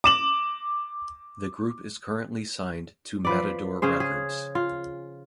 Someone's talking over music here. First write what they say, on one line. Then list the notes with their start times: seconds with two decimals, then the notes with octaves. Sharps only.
The group is currently signed to Matador Records.
0.04 D6 E7 F#7
3.25 F3 B4 D5
3.82 C#3 C#4 G#4 C5
4.00 G#4
4.55 F4